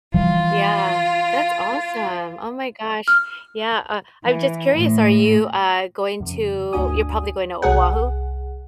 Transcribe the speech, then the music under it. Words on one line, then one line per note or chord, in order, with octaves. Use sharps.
yeah, that's awesome, oh my gosh, yeah, uh, I'm just curious, are you, uh, going to You're probably going to Oahu,
E3 F3 G3 F4
F6
E3
A2
F2 C#3
G1 D2 D4 F#4 G#5 D#6
C2 G#4 F#5